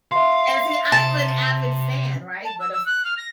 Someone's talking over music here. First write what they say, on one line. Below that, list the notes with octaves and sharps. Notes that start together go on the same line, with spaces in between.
And see, I'm an avid fan, right? But of
E5 F5 C6
C3 A5
A5
E6
E6
F#6
F6
A#6